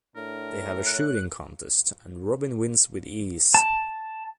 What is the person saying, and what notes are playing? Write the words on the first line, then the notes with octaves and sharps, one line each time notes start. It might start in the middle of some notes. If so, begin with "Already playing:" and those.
They have a shooting contest, and Robin wins with ease.
A2 D4 A#4
C#5 F#6
A5